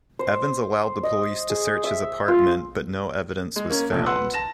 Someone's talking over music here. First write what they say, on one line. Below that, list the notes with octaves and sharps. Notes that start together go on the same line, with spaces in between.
Evans allowed the police to search his apartment but no evidence was found.
C5
D#5
G#4
E5
F4
G#3
A#3 C#4
F1 A#1 A3
B4 F#5 C6 E6
A5 A#6 E7